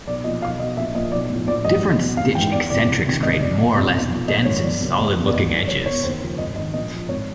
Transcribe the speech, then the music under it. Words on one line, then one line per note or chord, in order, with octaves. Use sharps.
Different stitch eccentrics create more or less dense and solid-looking edges.
B1 D5
A#2 F3 D#5
B1 F5
B2 D#5
A#1 E5
A#2 F3 D#5
B1 D5
A2 F3
A#1 D5
G#2 E3 D#5
E2
B2
G#1 F5
G#2 E3 G5
E2 D5
C3 E3 D5
C#2
C3 D#3
G#1 D#5
D#5
G2 E3 D5
G1 D#5
F2 C3
B1
A#2 F3
A#1 D#5
G#2 D#3 C#5
G1 D5
F#2 C#3
E2
B2
D5
G#1 D#5
F#2 D#3 D5
E1 C#5
E2 B2 C#5
D#2 C5
C#3 F3
G#1 D#5
G#2 D#3 D#5
A#1 D#5
A#2 F3
G#1 C#5